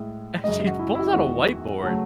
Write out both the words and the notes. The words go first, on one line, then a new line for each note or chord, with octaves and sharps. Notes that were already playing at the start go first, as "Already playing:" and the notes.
and she pulls out a whiteboard
Already playing: A2 G#3
F#2 C#3 G#3 D#5
F#4
E4
E4
E2 D#3 G#3 F#4
C#3 F#3 A3